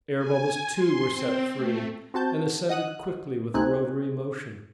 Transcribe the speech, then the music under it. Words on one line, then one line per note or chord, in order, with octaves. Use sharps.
Air-bubbles, too, were set free, and ascended quickly with a rotary motion.
G#5
C6
C4
A3
C4 F#4 A5 G6
D#5 F#5 D#6 F#6
C#2 A3 C4 D#4 G#5 F#6